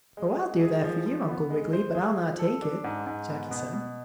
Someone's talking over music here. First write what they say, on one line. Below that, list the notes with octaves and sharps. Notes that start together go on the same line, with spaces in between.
"Oh, I'll do that for you, Uncle Wiggily, but I'll not take it," Jackie said.
G#3
G#3
G#4
F3
F3
B3
G#3
C5
G#4
F3
A4
D4
G#2
G#2
B3
B2
B2